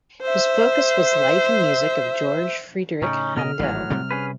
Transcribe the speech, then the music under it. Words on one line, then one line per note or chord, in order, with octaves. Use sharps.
His focus was life and music of George Frideric Handel.
C5 E5
A2 C#3 C#4 D#4
B2 A#4 D#5 F6
G#1 A2 E3 F#3
C3 G3 C4
C#4 G#4 B4